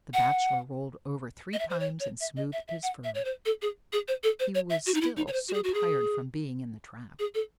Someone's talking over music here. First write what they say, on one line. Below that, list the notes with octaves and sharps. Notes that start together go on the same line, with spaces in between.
The Bachelor rolled over three times and smoothed his fur; he was still so tired from being in the trap.
F#5
D#5
E5
C5
C#5
C#5
E5
D#5
E5
E5
F#5
E5
C#5
C5
A4
G#4
G#4
C5
A4
C5
C#5
E5
F#4
D#4
E4
D#4
C#5
C5
F#4
G#4
F#4
G#4
G#4
A4